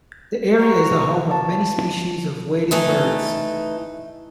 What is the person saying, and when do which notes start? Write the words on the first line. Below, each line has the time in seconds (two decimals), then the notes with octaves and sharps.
The area is the home of many species of wading birds.
0.58 F#4 A#5
1.31 A5
2.71 E3 A3 D#4